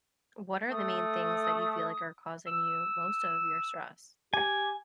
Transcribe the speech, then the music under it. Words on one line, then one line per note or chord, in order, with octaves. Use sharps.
what are the main things that you feel like are causing you most of your stress?
A3 D#6
E6
G4 G#5